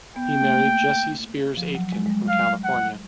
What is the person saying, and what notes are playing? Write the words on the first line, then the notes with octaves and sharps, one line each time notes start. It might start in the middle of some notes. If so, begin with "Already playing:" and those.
He married Jessie Spiers Aitken from California.
B3 G5
A3
A#3
F3
F#3
G#3
G#3
G3
F#3 F5
F#5